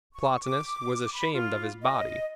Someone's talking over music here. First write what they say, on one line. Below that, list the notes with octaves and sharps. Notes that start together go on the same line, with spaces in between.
Plotinus was ashamed of his body.
C#6
D6
B5
F4
D#5